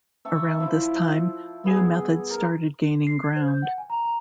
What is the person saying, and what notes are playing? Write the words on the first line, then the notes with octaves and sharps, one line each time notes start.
Around this time, new methods started gaining ground.
E5 A5 C#6
F3 E4
G2 B3 G#4
A#4
C7
G#6
C5
G6
F#5
G#5
A#5
A#5